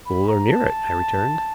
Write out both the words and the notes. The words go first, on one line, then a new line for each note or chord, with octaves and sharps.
"Full, or near it," I returned.
B5
A#5
A5